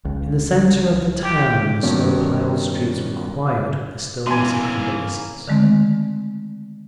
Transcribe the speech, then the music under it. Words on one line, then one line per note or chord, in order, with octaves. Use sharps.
In the centre of the town the snow-piled streets were quiet with the stillness of convalescence.
C#2
G4
G2 B2 D#3 C#4 G4
C3 E3 A#3 B3 C#4 G#5 C6
D3 D#3 G#3 A3 C4